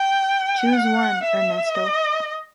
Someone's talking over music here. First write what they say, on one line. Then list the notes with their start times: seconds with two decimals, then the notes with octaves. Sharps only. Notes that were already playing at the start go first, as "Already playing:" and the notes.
Choose one, Ernesto.
Already playing: G5
0.72 F#5
1.23 E5
1.75 D#5